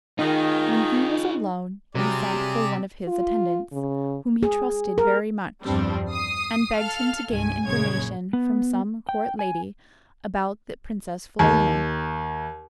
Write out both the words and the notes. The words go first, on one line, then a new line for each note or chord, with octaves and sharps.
When he was alone, he sent for one of his attendants, whom he trusted very much, and begged him to gain information from some court lady about the princess Florina.
D#3 D#4 F4 G#4
C3 F#3 G3 G#4 D5
F4
C#3
G#4
A#4
E2 G2 F3 G3 C4 D4
D#6 C7
A4 F5 F6
C2 G2 G#5
A#1 F#2 C#3 G#3 C#5 G#6
B3
G5
G#5
D#2